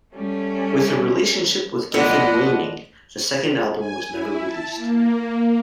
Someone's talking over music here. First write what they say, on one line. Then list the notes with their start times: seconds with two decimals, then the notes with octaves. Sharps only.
With their relationship with Geffen waining, the second album was never released.
0.14 G3 A3 C#4
1.94 A2 F3 B3 D5 D#5 F#5
3.78 G#5
4.08 E4
4.45 A5
4.76 A#3
5.16 A#3